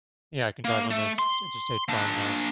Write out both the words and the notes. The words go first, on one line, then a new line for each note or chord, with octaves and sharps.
Yeah, I can drive on the insters interstate fine now.
A#3
A3
C6
A#3 D4